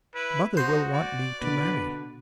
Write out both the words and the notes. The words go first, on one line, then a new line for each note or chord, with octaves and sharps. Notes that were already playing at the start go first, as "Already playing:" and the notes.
'Mother will want me to marry.'
E4 B4
D#4 F#4 C5
D5
B2 D3 B3 B4